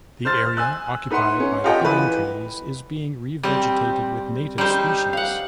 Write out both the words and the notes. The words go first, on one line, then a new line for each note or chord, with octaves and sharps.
The area occupied by the pine trees is being revegetated with native species.
C5 F6 A6
G#5 E6 F#6
D#4 B4 E5 F#5 C6
C#4
F4 G4 A4 D#5 F#5 G5
E3 B4
G3 C4
G3 D#4 C5
F5 F#5